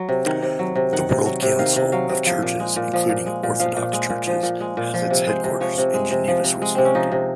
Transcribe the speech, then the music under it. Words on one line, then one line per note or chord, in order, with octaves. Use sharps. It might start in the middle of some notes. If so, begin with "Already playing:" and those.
The World Council of Churches, including Orthodox Churches, has its headquarters in Geneva, Switzerland.
Already playing: F#3
C3
D#3 F#5
C3
F#3
C3
D#3 F#5
C3
F#3
C3
D#3 F5
C3
F#3 F5
C3
F3
A#2
G#3
A#2
F3
A#2
G#3
A#2
F3 F5
A#2
G#3
A#2
F3
A#2
G#3
A#2
F3
C3
G#3 C5
C3
F3 C#5
C3
G#3
C3
F3
C3
G#3
C3 C4
C#4
F3 D#4
C3